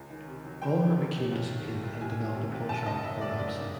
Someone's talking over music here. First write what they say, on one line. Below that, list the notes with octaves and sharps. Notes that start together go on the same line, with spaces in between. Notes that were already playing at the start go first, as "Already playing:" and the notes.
Oliver became dissipated and developed a penchant for absinthe.
Already playing: C#2 G#5
D#3
C3
F#3
C#2 G5
D#3
C3
F#3
C2
D#3
C3
C2
C2 G#5
D#3
C3
C2
F#1 A5
C#3 D#5
F#2 E5
F#1 D5
F#1 D5
C#3